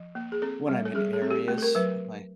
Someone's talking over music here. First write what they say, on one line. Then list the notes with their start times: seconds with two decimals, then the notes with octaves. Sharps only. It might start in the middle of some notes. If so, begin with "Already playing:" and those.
when I'm in areas. My
Already playing: F3
0.15 A#3
0.32 G#4
0.42 C4 A4
0.69 G3
0.85 A4
0.95 G3 G#4
1.13 G#4
1.22 C4
1.31 G4
1.48 A3
1.58 A4
1.62 A#4
1.75 F#3 B4